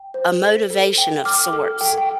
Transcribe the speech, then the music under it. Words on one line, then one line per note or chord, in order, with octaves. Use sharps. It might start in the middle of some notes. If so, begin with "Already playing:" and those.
a motivation of sorts,
Already playing: G5
C5
A4
A4
G5
G5 D6 F6
A4
A4 G5
G5